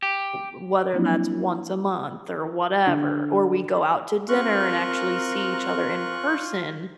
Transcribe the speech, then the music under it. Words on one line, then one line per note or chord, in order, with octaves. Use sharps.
w whether that's once a month, or whatever, or we go out to dinner and actually see each other in person
G4
F3 F#3 A#3 C4 D4 E4
D3
C4 F4 A#4 C#6 F#6